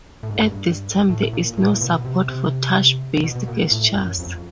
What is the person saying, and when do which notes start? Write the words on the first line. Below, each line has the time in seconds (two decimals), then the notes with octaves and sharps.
At this time, there is no support for touch based gestures.
0.23 A2
0.30 G#2
0.38 G2
1.10 A2
1.33 A#2
1.57 A2
1.74 A#2
1.81 B2
2.05 C3
2.29 C3
3.23 B2
3.35 B2
3.48 A#2
3.71 A2
3.95 F#2
4.19 F2